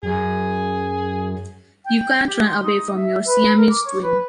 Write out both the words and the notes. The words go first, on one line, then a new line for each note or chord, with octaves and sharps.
You can’t run away from your Siamese twin.
F#2 G#4
G5
G4
C6
D#4
E5
B4
A#4
D6
C#5
B4